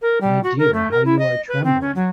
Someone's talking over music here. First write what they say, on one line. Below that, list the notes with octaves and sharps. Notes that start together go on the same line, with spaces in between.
My dear, how you are trembling!
A#4
G3
F#4
A#4
A3
A#4
E4
D#5
B4
C4
C#4
F#3